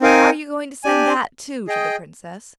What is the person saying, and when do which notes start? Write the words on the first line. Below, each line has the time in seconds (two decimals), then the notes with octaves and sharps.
Are you going to send that, too, to the Princess?'
0.01 C4 D#4 A#4 F5 G#5
0.84 D4 G4 D5 G#5
1.67 G#4 D#5 G5